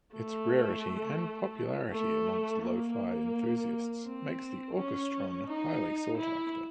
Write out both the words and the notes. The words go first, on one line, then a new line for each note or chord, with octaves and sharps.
Its rarity and popularity amongst lo-fi enthusiasts makes the Orchestron highly sought after.
A3
A3
A#3
C4
C#4
D#4
E4